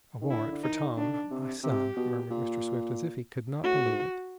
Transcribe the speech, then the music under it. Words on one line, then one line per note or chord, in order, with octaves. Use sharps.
"A warrant for Tom--my son," murmured Mr. Swift, as if he could not believe it.
D#3
D3 E4
D3
D#3 D#4
D3 D4
C3
C3 G4
B2
A#2
A2 F#4
G#2